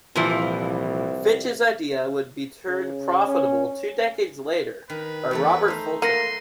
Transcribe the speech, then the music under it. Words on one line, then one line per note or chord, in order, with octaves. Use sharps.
Fitch's idea would be turned profitable two decades later by Robert Fulton.
C2 A#2 E3 F3
C#3
C#4
D#3 B4
E2 A3 A4
D#4 C5
A#3 F#5 C6 A#6 D#7